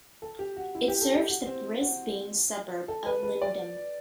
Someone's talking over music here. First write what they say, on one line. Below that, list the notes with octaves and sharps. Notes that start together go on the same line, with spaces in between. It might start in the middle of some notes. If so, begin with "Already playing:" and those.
It serves the Brisbane suburb of Lindum.
A4
G4
F#4
E4
G4
A4
G4
F#4
C4
F#4
A4
B4
B4
D5